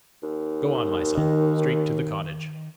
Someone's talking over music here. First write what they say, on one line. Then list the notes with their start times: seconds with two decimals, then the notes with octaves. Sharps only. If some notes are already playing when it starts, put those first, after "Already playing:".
Go on, my son--straight to the cottage.
0.23 D#2
1.17 D#3